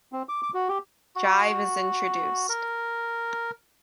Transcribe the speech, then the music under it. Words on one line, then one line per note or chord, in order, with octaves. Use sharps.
Jive is introduced.
C4
D6
D6
F#4
G4
F#4
A#4